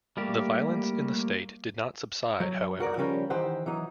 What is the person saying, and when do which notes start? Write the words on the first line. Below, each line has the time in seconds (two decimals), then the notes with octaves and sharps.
The violence in the state did not subside, however.
0.17 G3 A3 A#3 G4
2.40 F#3
2.79 C2 F#4 A#4 D5
2.97 C#3 F3 G3 C#4 A#4
3.30 D#3 E3 D#4 G4 C5 F#5
3.66 E3 F#3 D#4